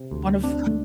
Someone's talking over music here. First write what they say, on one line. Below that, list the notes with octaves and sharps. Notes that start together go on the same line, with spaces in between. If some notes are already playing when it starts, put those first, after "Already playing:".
One of
Already playing: C3
D2
C4 D4
A3